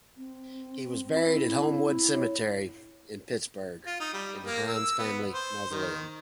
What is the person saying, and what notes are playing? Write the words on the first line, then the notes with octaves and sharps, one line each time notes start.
He was buried at Homewood Cemetery in Pittsburgh, in the Heinz Family Mausoleum.
C4
E4
C#5
F4
D#4
G3
A#3
E6
B3
C5
D#3